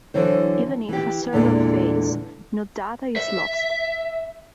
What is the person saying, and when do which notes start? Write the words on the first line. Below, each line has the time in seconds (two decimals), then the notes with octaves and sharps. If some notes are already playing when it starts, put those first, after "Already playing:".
Even if a server fails no data is lost.
0.14 D3 E3 F#3 C5
0.89 E3 G4
1.33 E2 A#2 D3 E3 G#3
3.16 E5